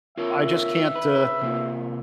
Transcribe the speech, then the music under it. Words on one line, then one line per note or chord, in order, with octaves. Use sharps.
I just can't, uh,
F4 A#4 C#5 E5
B4
C3 A#3 F4